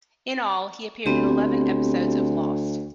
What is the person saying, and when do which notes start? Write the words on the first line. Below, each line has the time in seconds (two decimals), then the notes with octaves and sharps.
In all, he appeared in eleven episodes of "Lost".
1.06 D2 B3 C4 G4